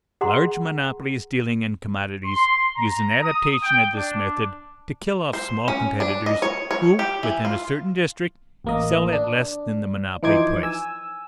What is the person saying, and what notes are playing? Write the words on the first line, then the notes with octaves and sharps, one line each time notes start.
Large monopolies dealing in commodities use an adaptation of this method to kill off small competitors who, within a certain district, sell at less than the monopoly price.
G#4 F#5 A#5 C6
C6
A#5
D#6
G5
D4
C5
C#4
D4
D#5
C#5
C#5
G4
E3
F4
A1 A#3 D#5
D4
E3 F3 D#4 C5 D6 G#6
G#5 E6